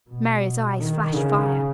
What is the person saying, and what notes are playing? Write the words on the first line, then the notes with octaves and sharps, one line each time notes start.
Mary's eyes flashed fire.
B2
D#3
C#3